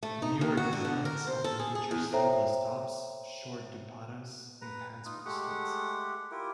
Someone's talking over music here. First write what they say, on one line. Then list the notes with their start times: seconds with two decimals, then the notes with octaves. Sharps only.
Newer designs often feature sleeveless tops, short dupattas, and pants with slits.
0.03 A3
0.22 D#4
0.41 D#2
0.57 F#4
0.73 D3
0.85 D3
1.05 A#4
1.27 C5
1.44 A4
1.59 G#4
1.75 G#4
1.91 E2
2.13 A4 C5 C#5 E5 G5 A#5
4.61 B4 A#5
5.05 D#4 F4
5.25 G#3 A3 G4 F#5
6.31 E4 F4 G4 A#4